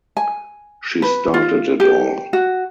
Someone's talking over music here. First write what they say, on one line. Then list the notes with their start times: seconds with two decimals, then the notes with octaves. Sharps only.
She started it all.
0.17 G#5
1.02 B4
1.34 F4
1.80 G4
2.33 F#4